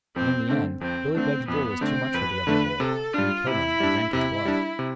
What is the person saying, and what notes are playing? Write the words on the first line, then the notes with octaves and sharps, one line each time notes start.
But in the end, Billy Beg's bull was too much for the other bull, and he killed him, and drank his blood.
F2 C4
D3 A3 D4
F2 C4
D3 A3 C4 D4
F2 B3
D3 A3 C4 D4
F2 B4
D3 A3 D4
C3 A4
G3 D4 F4
C3 E4
G3 D4
C3 E4
G3 D4
C3